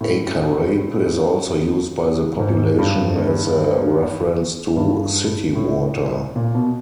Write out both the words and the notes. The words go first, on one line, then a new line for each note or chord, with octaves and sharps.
Acarape is also used by the population as a reference to city water.
A2
G#2
G2
G2
A2
A#2
B2